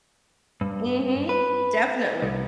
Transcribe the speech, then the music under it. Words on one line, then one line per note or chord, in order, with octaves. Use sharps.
Mhm. Definitely.
G2
B4
C2